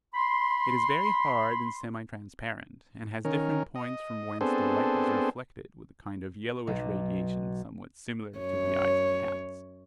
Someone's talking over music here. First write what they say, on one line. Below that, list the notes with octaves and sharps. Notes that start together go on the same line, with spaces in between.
It is very hard and semi-transparent, and has different points from whence the light is reflected with a kind of yellowish radiation somewhat similar to the eyes of cats.
B5 C6
D#3 C#4 A#4
D#5
B3 C4 D4 G#4 A4 C5
B1
F#2 C#5